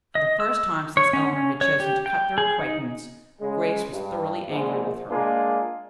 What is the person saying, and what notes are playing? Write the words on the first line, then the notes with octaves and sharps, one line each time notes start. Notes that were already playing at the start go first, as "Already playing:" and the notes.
For the first time since Eleanor had chosen to cut their acquaintance Grace was thoroughly angry with her.
D#5
E6
C#5
C#4
C#4
C#5
G4
G5
G#4
D#4
C#3 G#3
G2
A#1 G#2
G#3 A#3 D4 F4 G#4